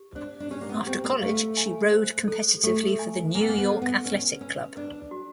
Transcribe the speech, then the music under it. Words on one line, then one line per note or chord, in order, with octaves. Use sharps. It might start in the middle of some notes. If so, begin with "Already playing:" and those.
After college she rowed competitively for the New York Athletic Club.
Already playing: G4
D4 C5
D4
C#4 G4
A#3
B3
C4 G4
A#3
A3 F5
G#5
C5
A4
A3 A4
G#5
A#3 G#5
B3
A#3
B3
A4
B3
C#4 B4
C#4 B4
D4 B4
F#4